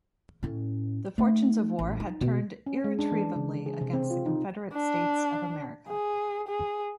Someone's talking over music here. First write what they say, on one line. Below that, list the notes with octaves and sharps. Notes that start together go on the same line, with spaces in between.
The fortunes of war had turned irretrievably against the Confederate States of America.
A2 C#4
A3 D#4
A1
D#4
B2
C#4
G#3
D4
E3
C#3
G#4
C3
C4
F4
D#4
D4
G#4
G#4